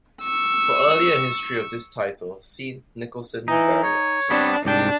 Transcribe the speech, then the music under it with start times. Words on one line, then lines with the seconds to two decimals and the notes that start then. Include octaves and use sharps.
For earlier history of this title, see Nicolson Baronets.
0.22 C#6 E6
3.48 E3 D#4
3.84 C#5
4.30 G3 B3 C4 D4
4.65 C2 G#2 D4 G5